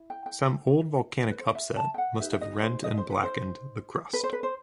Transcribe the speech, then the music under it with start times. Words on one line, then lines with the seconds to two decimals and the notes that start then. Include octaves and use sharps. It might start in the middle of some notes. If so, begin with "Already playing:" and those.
Some old volcanic upset must have rent and blackened the crust.
Already playing: E4
0.10 G5
0.26 G5
1.31 B4
1.39 C5
1.47 D#5
1.55 E5
1.77 A5
1.94 G5
1.98 F#5
2.19 D#4 G4 B4 E5
2.32 E5
2.41 D#5
2.63 C5
2.84 D#5
2.97 C5
3.10 B4
3.23 C5
4.13 B4
4.23 C5
4.33 B4
4.43 C5